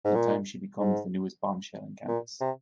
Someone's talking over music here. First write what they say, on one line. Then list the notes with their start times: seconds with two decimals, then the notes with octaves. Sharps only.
In time she becomes the newest bombshell in campus.
0.05 G#2
0.15 A#2
0.80 G#2
2.08 A#2
2.41 C3